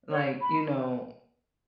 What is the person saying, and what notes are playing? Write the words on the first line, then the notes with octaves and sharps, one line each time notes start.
like, you know,
C#5
B5